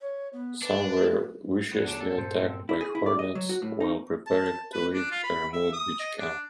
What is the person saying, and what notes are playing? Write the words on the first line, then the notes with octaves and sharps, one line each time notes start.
Some were viciously attacked by hornets while preparing to leave a remote beach camp.
C#5
B3
D4 B4
E2 B3 F#4
D3 F#3 D4
A4
G2 A#2 C5
C4
E4
G#4
E4
D5
D#5
F#3
F#4
A2
D#4
A5
B4
D4
F4
B5
E5
D#6
D#5
D4